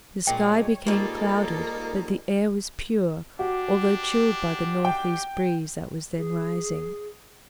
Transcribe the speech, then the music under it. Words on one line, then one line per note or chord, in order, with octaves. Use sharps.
The sky became clouded, but the air was pure, although chilled by the northeast breeze that was then rising.
A#2 G3 G#3 D4 C#5 G5
G#2 G3 A#3 D#4 F4 G4 A4 A#4
D4 F#4 G4
G5
G#4